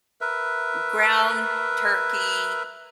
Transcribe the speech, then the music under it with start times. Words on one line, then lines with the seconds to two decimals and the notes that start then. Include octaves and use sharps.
m ground turkey,
0.21 A#4 B4 E5